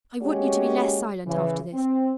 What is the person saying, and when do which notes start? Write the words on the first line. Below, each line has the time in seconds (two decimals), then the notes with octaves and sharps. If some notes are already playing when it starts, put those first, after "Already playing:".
I want you to be less silent after this.
0.21 G#3 A#3 C#4 F#4 G4 C#5
1.27 C#3 E3
1.74 C4